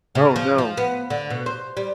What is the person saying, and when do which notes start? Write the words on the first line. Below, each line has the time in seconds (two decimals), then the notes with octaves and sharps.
Oh, no.
0.15 C#3
0.36 F3
0.58 F3
0.77 B3
1.10 D3
1.30 B2
1.46 C5
1.77 G3